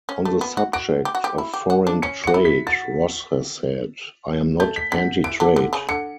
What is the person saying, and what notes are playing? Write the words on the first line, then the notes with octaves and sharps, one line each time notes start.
On the subject of foreign trade, Ross has said: I am not anti-trade.
C#4
A3
B3
F#4
F#4 D7
G4
F#4
G4
E4
G4
F#4
D4
C#4 C#7
F#4 C#7
E4
B6
F#4 A6
A3 G6
B6
D3 B6
E3 D7
D3
D3
C#3
D3 C#7